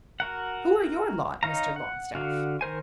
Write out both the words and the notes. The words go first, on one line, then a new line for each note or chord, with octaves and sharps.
"Who are your lot, Mr. Longstaff?"
F#4 A#4 F#5
D#4 C#5 F5 A#5
F#5
D3 F#4 F5
D#3 A#4 C5 G#5